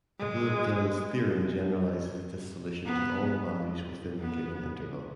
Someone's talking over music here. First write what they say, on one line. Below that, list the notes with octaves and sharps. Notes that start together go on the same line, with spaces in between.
Abouabdillah's theorem generalizes this solution to all values within the given interval.
G#3
B3
B3